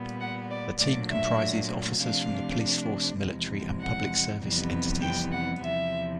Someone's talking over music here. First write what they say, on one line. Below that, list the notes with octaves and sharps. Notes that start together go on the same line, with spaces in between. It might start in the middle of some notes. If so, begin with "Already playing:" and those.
The team comprises officers from the police force, military and public service entities.
Already playing: A#2 G3 B3
F#5
D5
A#2 F#3 A3 D4 D5
E5
C3 F3 A3 D4 F5
E2 C3 F3 G#3
F#5
F2 C3 E3 G3 B3
G5
F#5
E2 C3 F3 E5